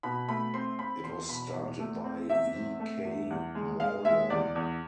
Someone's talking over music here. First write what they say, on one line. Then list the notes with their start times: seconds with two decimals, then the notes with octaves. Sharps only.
It was started by E. K. Mawlong.
0.03 B2 B5
0.28 A3 B5
0.54 C4 C6
0.79 C4 B5
1.03 E2 C6
1.29 B2 B5
1.54 E2
1.79 A3
2.04 C4
2.30 E2 E5
2.54 C4
2.80 A3
3.05 E2
3.30 E2
3.55 G#3
3.80 G#3 F5
4.05 G#3 E5
4.30 E2 D5
4.55 E2